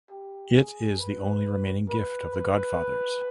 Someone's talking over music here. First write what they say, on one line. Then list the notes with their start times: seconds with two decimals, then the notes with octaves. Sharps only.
It is the only remaining gift of the godfathers.
0.10 G4
0.55 G#4
0.99 B4
1.89 B4
2.35 B4